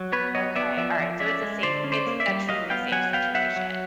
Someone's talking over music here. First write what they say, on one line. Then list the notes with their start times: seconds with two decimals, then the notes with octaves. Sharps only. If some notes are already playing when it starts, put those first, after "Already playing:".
Okay. Alright, so it's a safe it's a truly safe situation.
Already playing: F#3
0.12 B3 B4 C#5
0.35 F#3 C#5 D#5
0.56 B3 D5 E5
0.77 F3 D5 E5
0.99 F3
1.20 C#4 D5 E5
1.42 G#3
1.63 D3 C5 D5
1.84 C#4
1.92 C5 D5
2.06 A#3
2.20 D5 E5
2.28 G3
2.49 F#3 D#5 F5
2.70 B3 F5 G5
2.92 F#3 F#5 G#5
3.13 B3 F5 G5
3.35 F#3 E5 F#5
3.56 F#3